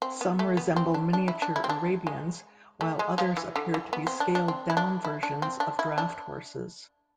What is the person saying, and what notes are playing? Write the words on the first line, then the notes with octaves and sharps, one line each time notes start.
Some resemble miniature Arabians, while others appear to be scaled-down versions of draft horses.
C4
B3
A3
B3
C4
D4
D4
E4
D4
E4
C4
D4
G#3
A3
G#3
F3
E3
D3
E3
B3
C4
D4
D4
C4
E4
D4
E4
D4
C4
D4
E4
D4